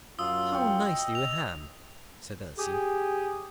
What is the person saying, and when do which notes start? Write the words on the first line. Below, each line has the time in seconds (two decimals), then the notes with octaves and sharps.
"How nicely you hem!" said Elsie.
0.19 F#2 F4 D#6 E6
0.55 G5
0.88 D#5
1.15 F7
2.58 G4 G#4